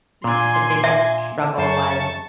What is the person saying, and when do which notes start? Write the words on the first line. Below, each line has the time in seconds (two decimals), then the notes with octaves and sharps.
m the biggest struggle was
0.24 A#2 D4 G#5 C6
0.84 E5
1.58 F#2 C5 A5 C#6